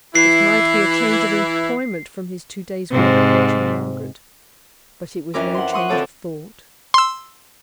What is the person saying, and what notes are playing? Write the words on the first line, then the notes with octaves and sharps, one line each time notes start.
It might be a change of employment from his two days' work of watching Margaret, but it was no change of thought.
E3 E4 C7
G#2 C3
F2 E3 C#4 A#4 D6
F#5 C6
F#5 C6 C#6 D#6
D3 F3 C4 A4 C#5 D6
C6 E6